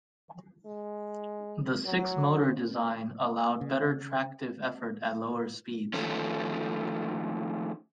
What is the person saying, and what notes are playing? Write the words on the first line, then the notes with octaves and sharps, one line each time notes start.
The six-motor design allowed better tractive effort at lower speeds.
G#3
F#3
C#3
D#3 F3 A3 C#4